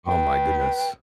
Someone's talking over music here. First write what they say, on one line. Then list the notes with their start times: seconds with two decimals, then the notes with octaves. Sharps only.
Oh my goodness.
0.06 B4 G5